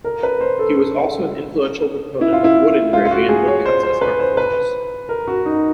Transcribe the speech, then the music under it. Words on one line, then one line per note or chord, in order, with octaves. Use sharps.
He was also an influential proponent of wood engraving and woodcuts as art forms.
A#4
B4
C5
A4
E4
F4
E4
F4
F4
F#4
G#4
C#5
C5
C5
B4
C5
B4
A#4
F#4
D#4